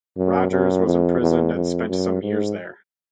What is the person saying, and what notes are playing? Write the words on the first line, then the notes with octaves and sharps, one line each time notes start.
Rogers was imprisoned and spent some years there.
F#2
F#2
F2
E2
F2
F#2
G#2